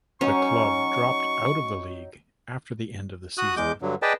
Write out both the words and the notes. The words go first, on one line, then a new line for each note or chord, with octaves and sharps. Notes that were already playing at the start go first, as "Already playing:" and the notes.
The club dropped out of the league after the end of the season.
F#3 C#4 D#4 C#6
F#4 D#6 F#6
E2 G#3 D6 G6
G2 D3 F#3
G#4 B4 D5 D#5 G5 A5